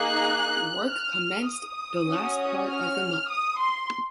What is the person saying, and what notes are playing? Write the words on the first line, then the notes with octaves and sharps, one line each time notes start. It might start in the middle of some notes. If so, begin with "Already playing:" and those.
Work commenced the last part of the month.
Already playing: A#3 D#4 G#4 F#6
F6
D#6
C#4 F#4
F6
D#6
C6